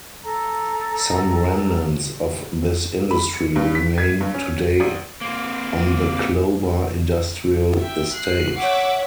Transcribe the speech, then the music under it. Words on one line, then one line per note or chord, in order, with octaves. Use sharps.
Some remnants of this industry remain today on the Clober Industrial Estate.
A4 A#5
B5
C#7
G2
B6
G#6
G2
C#4
G#1
A#3 C4
E5 G5
F#6 C7
C#5 E5 F#5 D6